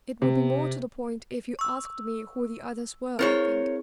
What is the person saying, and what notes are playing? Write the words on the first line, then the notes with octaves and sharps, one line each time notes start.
"It would be more to the point if you asked me who the others were, I think."
C3
C#6 E6
C4 E4 G#4 A#4 C5 C#5